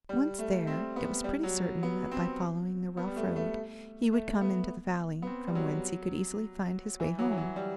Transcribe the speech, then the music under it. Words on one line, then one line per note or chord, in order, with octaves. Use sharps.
Once there, it was pretty certain that by following the rough road he would come into the valley, from whence he could easily find his way home.
G3
A3
C4
B3
G3
F#3
B3
C4
B3
G3
A3
A3
A3
B3
B3
C4
G3
F#3
E3
F#3
E3
F#3
G3